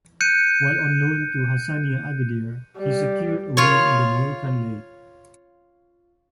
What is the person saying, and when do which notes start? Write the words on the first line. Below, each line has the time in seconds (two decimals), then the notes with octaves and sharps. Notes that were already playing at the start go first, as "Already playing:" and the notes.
While on loan to Hassania Agadir, he secured a win in the Moroccan League.
0.21 F#6 G6 C#7 D#7
2.77 G3
3.57 F4 C#5